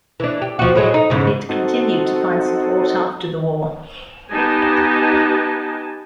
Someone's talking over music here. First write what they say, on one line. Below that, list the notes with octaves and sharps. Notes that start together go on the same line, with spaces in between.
It continued to find support after the war.
E3 D4
G4
F3 F#4
A2 F#3 G#3
D#4
E2 G#2 C#3
C4 D#4 F#4 A4
B3 D#4 G4 D#5 G#5 A5